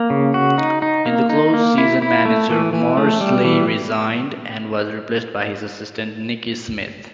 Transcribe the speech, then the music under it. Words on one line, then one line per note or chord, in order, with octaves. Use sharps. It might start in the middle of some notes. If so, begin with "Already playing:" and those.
In the close-season manager Morsley resigned, and was replaced by his assistant Nicky Smith.
Already playing: A#3
C#3
F#4
D#4
D#4
A#3
D#4
A#3
E4
E4
A3
E3
E3
A3
G3
E3